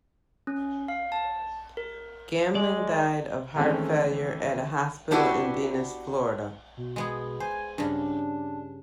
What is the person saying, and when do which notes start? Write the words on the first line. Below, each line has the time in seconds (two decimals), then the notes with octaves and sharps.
Gambling died of heart failure at a hospital in Venice, Florida.
0.47 C#4
0.88 F5
1.12 A5
1.77 A#4
2.55 G#3 D5
3.56 D#3 E3 G#3 A3 C4 C#4
5.11 B3 D4 E4 F#4 G4 B4
6.77 B2
6.96 G#3 B3 G#4
7.40 C5 G#5
7.78 G2 C#3 D4